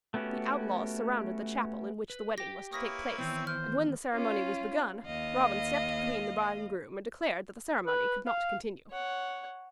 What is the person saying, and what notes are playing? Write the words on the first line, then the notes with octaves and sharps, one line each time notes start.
The outlaws surrounded the chapel in which the wedding was to take place and when the ceremony was begun Robin stepped between the bride and groom and declared that the ceremony could not continue.
A3 B3 C#4 F#4 G4
B4
G4 G5 A#6
A#3 E4 B4 C#5 D#6 A#6 B6
D#3 E3 B3 C4
C5 F6
C#4 F4
D#2 D#5 F5
B4
F5
C#5 F#5